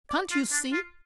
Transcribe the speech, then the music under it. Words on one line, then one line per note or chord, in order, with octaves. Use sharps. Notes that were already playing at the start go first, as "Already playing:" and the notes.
"Can't you see?"
D5
F4
D4
F4